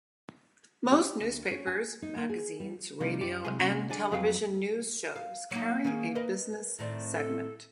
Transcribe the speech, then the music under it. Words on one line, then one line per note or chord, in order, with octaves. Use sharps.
Most newspapers, magazines, radio, and television news shows carry a business segment.
G4
D2
C#4
G#5
D#4
A#3
G#4
G3
C3 D#3 F3 G3 A#3
F#2 G4 D5
C2 F#3 G#3 G#4 G#5 C6
C3 A#3 C#4 A#5 C6
D3 G#4 D5 G#5
F2 F#3 F#4 B4 F5 G5
F5
F#3 A#3 D#4
D#3 C#4 G#4
A#4 B4 D#5
A2 D#3 C4 D5
A4